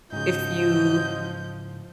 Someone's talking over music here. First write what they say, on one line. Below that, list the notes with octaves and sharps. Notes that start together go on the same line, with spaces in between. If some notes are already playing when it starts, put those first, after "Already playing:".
if you
G#2 C#3 F3 C#4 F#4 D#5 G6